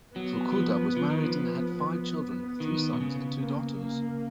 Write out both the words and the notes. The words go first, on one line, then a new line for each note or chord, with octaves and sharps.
Fukuda was married and had five children: three sons and two daughters.
F#3 B3
D#3
F3
F3
D#3
F3
B3
D#3
B2
C#3
A#3
A#3